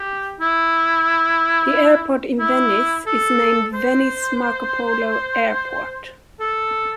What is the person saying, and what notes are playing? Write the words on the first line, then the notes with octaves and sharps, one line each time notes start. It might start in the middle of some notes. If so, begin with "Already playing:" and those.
The airport in Venice is named Venice Marco Polo Airport.
Already playing: G4
E4
E4
A4
C5
A4